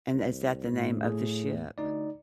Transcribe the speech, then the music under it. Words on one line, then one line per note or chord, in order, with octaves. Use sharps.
And is that the name of the ship?
C2
A2
G#4
D2 D#4 D5